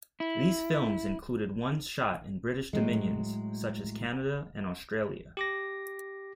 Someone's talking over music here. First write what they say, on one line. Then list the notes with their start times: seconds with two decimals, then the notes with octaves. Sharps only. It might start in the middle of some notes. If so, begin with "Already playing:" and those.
These films included ones shot in British dominions such as Canada and Australia.
0.20 E4
2.73 A2 F#3 G#3
5.37 G4 D6 A#6